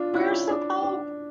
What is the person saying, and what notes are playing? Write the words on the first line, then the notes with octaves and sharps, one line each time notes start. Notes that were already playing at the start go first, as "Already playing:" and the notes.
Where's the Pope?
Already playing: D4 F4
C#4 E4
D4
D4